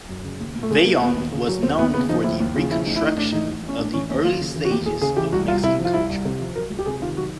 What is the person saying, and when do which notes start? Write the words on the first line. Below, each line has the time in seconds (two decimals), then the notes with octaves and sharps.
Vaillant was known for the reconstruction of the early stages of Mexican Culture.
0.09 F#2
0.24 C#3
0.40 D#2
0.55 D#2
0.63 A3
0.70 C#3 G#3
0.86 F#3 A#3
1.01 D#2 B3
1.17 D#2
1.32 C#3
1.48 F#3
1.63 D#2 C4
1.79 D#2 B3
1.94 C#3 B3
2.09 F3 D#4
2.24 D#2 E4
2.40 D#2
2.55 C#3 F4
2.71 F3 E4
2.86 A1 D#4
2.96 E4
3.02 A1
3.07 D#4
3.17 A2 D4
3.32 E3 D#4
3.48 A1
3.63 A1
3.68 C#4
3.78 A2 D4
3.93 E3 C#4
4.09 D#2 C#4
4.24 D#2 F4
4.40 C#3
4.55 E3
4.65 F#4
4.71 D#2 G4
4.86 D#2 G#4
5.01 C#3 G#4
5.17 E3 G4
5.32 C2 F#4
5.48 C2 F4
5.63 C3 E4
5.79 F3
5.85 F4
5.94 C2 E4
6.09 C2
6.25 C3
6.40 F3
6.56 F#3 A#4
6.70 C#2
6.79 G4
6.86 C3 G#4
7.02 D#3 F4
7.17 F#3 F#4